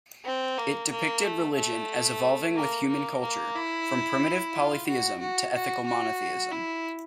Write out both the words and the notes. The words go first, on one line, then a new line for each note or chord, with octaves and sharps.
It depicted religion as evolving with human culture, from primitive polytheism to ethical monotheism.
C4
A#3
A#3
A3
A3
A#3
A#3
A#3
E4
F4
F#4
F#4
F#4
F#4
E4